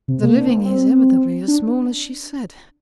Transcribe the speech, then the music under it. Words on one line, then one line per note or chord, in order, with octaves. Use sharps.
'The living is evidently as small as she said.
C3
A#3
D4
C4
A#3
C4
D4